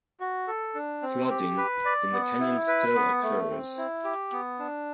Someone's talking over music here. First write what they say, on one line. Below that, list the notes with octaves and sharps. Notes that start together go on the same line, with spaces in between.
Flooding in the canyon still occurs.
F#4
A4
D4
C4
G4
B4
D5
B3
E4
B4
B3
A3
C4
E4
G4
B3
D4